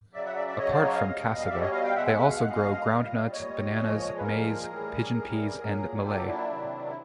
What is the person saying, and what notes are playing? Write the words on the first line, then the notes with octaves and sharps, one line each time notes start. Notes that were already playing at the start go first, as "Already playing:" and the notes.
Apart from cassava they also grow groundnuts, bananas, maize, pigeon peas and millet.
C#3 F#3 D5 E5
E5 F#5
D5 E5
D5 E5
C#3 F#3 C#5 D#5
C5 D5
C#5 D#5
D#5 F5
B2 G3
F5
B2 G3 D5 E5
C#5 D#5
D#5 F5
F5 G5
B2 G#3 E5 F#5
E5 F#5
E5 F#5
F5
G#3 F#5
B2 D#5 F5
A#2 G3
A#2 G3 C#5 D#5
A#2 F3 G#3
B4
A#2 F3 G#3 G#4 A#4
A2 E3 G3
A2 E3 G3
A#2 F#3
G#4
A#2 F#3 G4 A4
D4 E4
C3 D#3 F#3
E4